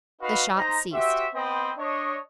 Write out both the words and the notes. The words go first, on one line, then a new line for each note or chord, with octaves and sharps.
The shots ceased.
D#4 F#4 B4 F5 B5
D#4 C5 A#5
F#4 G4 C5 E5
B3 C4 C5 D#5 G5 B5
D4 C#5 D#5